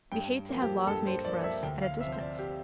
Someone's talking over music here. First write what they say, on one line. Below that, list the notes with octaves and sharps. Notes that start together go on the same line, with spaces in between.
We hate to have laws made for us at a distance.
G2 G5
F3 A#3
G4
G2 A4
C5
F3 A#3 D5
E5
D2 G5
F5
C3 F3 E5
C5
D5
G4